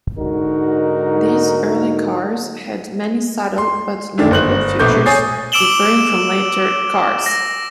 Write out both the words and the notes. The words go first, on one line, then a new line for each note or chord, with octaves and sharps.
These early cars had many subtle but notable features differing from later cars.
G#2 D3 D#4 F#4 A#4
C6
F#2 D3 D#3 D4
G1 C5 F#6 F#7
A#1 B2 A3 D6 G6
C#5 G#5 D#6 A6 C7
D6 E6 D7 E7 F#7 G7
A#6